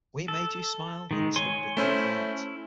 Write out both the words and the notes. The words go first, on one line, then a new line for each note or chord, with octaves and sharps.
We made you smile and tugged at your heart.
A4
D#3 G#3
C#5 G#5 C6
A3 C#4 E4 C5